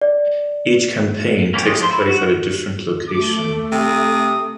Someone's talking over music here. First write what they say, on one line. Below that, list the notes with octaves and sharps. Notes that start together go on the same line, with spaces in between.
Each campaign takes place at a different location.
D5
A#3 C#4 F4 G4
G#3 F4 G4 D#5
F3 C#4 F4 C5 C6
E4
F#4
A3 D6
C3 D#6